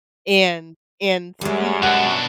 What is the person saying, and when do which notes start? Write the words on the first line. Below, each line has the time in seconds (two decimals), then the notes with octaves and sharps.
and and see
1.41 F#2 G3 G#3
1.83 B2 D4 F#5